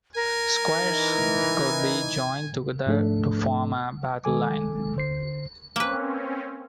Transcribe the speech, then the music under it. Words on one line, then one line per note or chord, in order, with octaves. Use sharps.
Squares could be joined together to form a battle line.
A#4 G#5
E3 D#4
G#2 F3 A3 D4 A4
D#3 G#3 A4 G#5 D6
D3 C5 C7
A#3 C4 C#4 B4